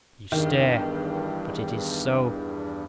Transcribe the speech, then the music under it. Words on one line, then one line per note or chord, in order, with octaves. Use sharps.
You stare. But it is so.
E2 G2 D#3